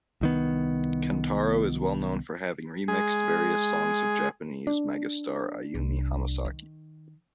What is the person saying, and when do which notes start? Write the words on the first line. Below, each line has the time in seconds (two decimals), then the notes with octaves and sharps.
Kentaro is well known for having remixed various songs of Japanese megastar Ayumi Hamasaki.
0.21 C2 D#3 B3
2.88 G#3 G#4
4.67 D4
5.75 C2
6.45 D#3